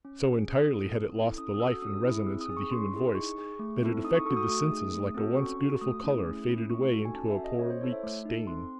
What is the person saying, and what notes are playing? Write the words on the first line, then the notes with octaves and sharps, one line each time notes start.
So entirely had it lost the life and resonance of the human voice, that it affected the senses like a once beautiful colour faded away into a poor weak stain.
C#4
G#4
C#4 D#6
E4 A4
C4
E4 A4
C#4 D#6
D#6
F#4 A4 E6
C#4 D#6
E4 G#4
C4 E6
D#6
D#4 G#4
C#6
C#4 C6
E4 G#4
D#4 C#6
G#4
A3
C4 E4 A4
D#4 D#6
C#6
F#4 A4 C#6
D#6
A3 D#6
D#4 G#4
A3
C4 F#4 A4
C#4 C#6
F#4 A4
A3 D#6
C#4 E4 G#4
A3
C#4 E4
A3 C#6
D#4 F#4 A4
G#5
C#4 A5
E5
F#4 A4
D#5
C#4 C#5
C5
E4 A4 C#5
E5
A3
D#4 A4
C4 C6